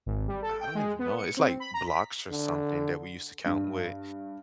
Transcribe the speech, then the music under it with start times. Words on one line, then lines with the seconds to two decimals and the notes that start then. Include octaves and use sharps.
I don't even know, it's like blocks or something that we used to count wit
0.06 G#1
0.28 G3
0.42 A4
0.61 G5
0.75 G#3
0.99 B3
1.18 C#7
1.37 C4
1.60 B5
1.74 A#5
1.87 B6
2.31 D3
3.46 G2